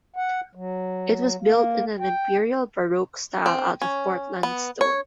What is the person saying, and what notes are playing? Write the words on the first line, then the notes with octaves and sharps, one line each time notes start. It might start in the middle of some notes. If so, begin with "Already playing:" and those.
It was built in an Imperial Baroque style out of Portland Stone.
F#5
F#3
A#3
G5
C4
C#4
B3
C#5